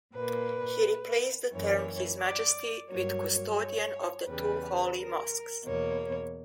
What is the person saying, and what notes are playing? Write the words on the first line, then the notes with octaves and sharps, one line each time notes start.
He replaced the term "His Majesty" with "Custodian of the Two Holy Mosques".
A#2 A#3 B4
F#2 E3 A#3 C#5
D5
G2 F#3 A#3 C#5
C#5
E2 C#3 G3 B4
A#4
E2 B2 A#3 C#5